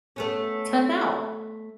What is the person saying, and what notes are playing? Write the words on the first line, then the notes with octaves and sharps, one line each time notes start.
to know?
A3 B3 C#4